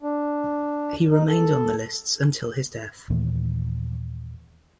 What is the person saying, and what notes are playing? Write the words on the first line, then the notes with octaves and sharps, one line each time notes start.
He remained on the lists until his death.
D4
D#4
A4
D#2 A#2 E3 A3